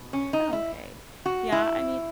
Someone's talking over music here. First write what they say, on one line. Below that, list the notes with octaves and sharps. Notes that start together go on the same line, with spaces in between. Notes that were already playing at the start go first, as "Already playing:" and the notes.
Oh, okay, yeah, I mean
Already playing: B2
C#4
D#4
E4
F#4
E4